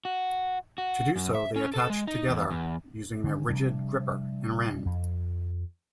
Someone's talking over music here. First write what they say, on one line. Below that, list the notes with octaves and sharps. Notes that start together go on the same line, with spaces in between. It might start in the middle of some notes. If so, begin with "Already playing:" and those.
To do so, they attach together using their rigid gripper and ring.
F#4
F#4
F#2
E5
C#4
A4
G#3
D#4
E2
E2
D3 D#3 C#4
C3 F3 G3 D4
F2